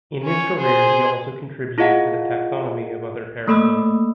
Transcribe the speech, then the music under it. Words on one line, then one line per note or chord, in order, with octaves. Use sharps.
In his career he also contributed to the taxonomy of other parasites.
C#4 C#5
G#4 C5
E4 F4 G#4 D#5 F5 F#5
A3 A#3 A4 B5 D#6 E6